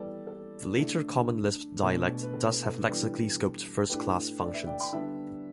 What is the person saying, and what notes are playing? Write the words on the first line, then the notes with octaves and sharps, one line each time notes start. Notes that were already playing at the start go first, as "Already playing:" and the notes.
The later Common Lisp dialect does have lexically scoped first-class functions.
Already playing: E3 G3 B3 A4 D5
A4
D3 A3 D4 A4
B2 A3 D4 A4
A4
B4
A4
A4
A4
E3 G3 B3 D4
A2 A3 D4 G4 B4
A4 D5
B4 E5
D5 G5
G5 B5
D3 G3 B3 D4 E5 A5